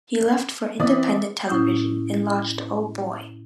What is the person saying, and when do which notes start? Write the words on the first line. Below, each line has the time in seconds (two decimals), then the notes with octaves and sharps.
He left for independent television and launched Oh Boy!
0.80 E3 C4 D5 E5 D#6
1.48 A2 C#4 E4 D#6 G6